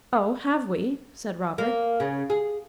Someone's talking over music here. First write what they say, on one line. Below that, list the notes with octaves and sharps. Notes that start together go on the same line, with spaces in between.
'Oh, have we?' said Robert.
A#3
C#3
G#4